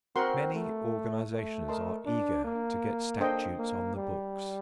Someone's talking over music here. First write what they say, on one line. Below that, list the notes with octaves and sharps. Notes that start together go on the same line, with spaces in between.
Many organizations are eager to get statutes on the books.
C4 F#4 A#4 F#5 C6
A3
A3
A#4 D#5 A5 C6
D4
A#3
D4 A4 C5 D#5 G5
A#3
G3